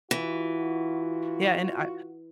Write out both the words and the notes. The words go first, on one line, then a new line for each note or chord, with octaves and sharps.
Yeah, and I
E3 F4 F#4